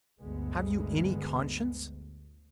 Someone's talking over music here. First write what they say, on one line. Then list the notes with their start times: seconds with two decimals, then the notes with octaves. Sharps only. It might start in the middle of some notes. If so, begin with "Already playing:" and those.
Have you any conscience?
0.20 G1 D2 G#3 B3